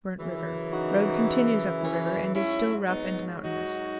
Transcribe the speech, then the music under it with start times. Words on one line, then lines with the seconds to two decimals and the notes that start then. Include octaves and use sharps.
Burnt River.--Road continues up the river, and is still rough and mountainous.
0.17 F#2 C#3 E3
0.72 D#4 F#4
1.81 C#4 E4
2.34 G#2 F#3 C#4 E4
2.88 B3 D#4
3.43 D#4 F#4